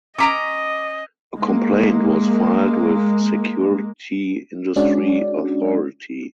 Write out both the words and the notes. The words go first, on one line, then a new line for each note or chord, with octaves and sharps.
A complaint was filed with Security Industry Authority.
C#4 D#5 A#5 D6 B6 D7
G#3 A#3
G#3 C#4 D4 F#4 D5